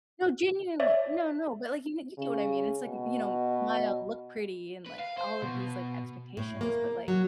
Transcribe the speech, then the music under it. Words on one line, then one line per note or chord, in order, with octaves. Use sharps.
No, genuinely. No no, but, like, you you get what I mean, it's like, y you know, smile, look pretty, and, like, all of these, like, expectations. But like,
C#5 D5 E5
C#3
B2
B4
F5
C5
B2
A2
A#3
F#3